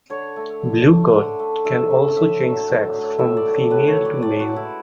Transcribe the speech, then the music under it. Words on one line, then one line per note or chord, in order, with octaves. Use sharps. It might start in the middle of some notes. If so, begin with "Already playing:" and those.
Blue cod can also change sex from female to male.
D3 C#5
A3
D3
A3
D3
A3
D3 E5
A3
A2 E5
F#3 A3
A2
F#3
A3
A2 E5
D5
F#3 A3
D5
A2 B4
C#5
F#3 A3
D5
A2 D5
F#4
G#3
E4